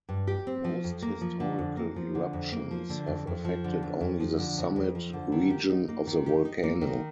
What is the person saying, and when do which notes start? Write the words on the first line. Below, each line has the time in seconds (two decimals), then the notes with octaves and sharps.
Most historical eruptions have affected only the summit region of the volcano.
0.09 G2
0.27 G4
0.47 C4
0.64 F3
0.84 F2
1.02 A#3
1.21 F3
1.40 D3
1.58 F2
1.77 A#3
1.96 F3
2.15 D3
2.33 F2
2.52 A#3
2.71 F3
2.90 D3
3.07 F2
3.27 F2
3.45 F3
3.64 D3
3.83 F2
4.01 F2
4.20 F3
4.39 D3
4.58 F2
4.76 F2
4.95 F3
5.13 D3
5.32 D#3
5.51 G4
5.70 D#4
5.88 A#3
6.07 D#3
6.26 G4
6.45 D#4
6.63 A#3
6.81 D#3